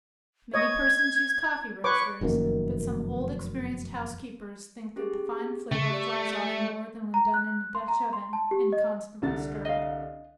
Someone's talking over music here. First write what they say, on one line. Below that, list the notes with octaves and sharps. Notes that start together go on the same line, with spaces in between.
Many persons use coffee roasters,--but some old experienced housekeepers think that the fine flavor flies off more than when done in a dutch-oven, and constantly stirred.
C#5 D#5 G#6
B4 C#5 C#6 D6
F1 F#2 D#3 A#3
C#4 G4 G#4
C#3 A3 C#6
G4 D5
A#5
F#6
C6
A#5
C6
A5
G4
D#5
C2 D3 A6
D#5 F5